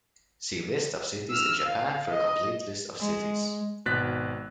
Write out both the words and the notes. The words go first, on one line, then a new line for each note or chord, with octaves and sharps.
See List of cities in Japan for a complete list of cities.
E6 F6
F5
D#5
G#3
G#1 B2 F#6 A6 B6